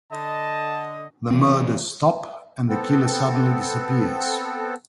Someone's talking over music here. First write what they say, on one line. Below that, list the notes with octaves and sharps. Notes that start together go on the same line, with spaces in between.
The murders stop and the killer suddenly disappears.
D3 D#5 A5
E3 C4
B3 C4 A4